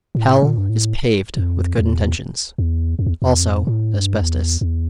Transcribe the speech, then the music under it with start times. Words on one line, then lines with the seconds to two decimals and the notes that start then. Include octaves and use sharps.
Hell is paved with good intentions--also asbestos.
0.15 A2
0.42 A#2
0.58 G2
0.69 A2
1.37 F2
1.78 E2
2.58 E2
2.99 F2
3.06 E2
3.22 E2
3.39 F2
3.67 A2
3.94 G2
4.21 E2
4.61 E2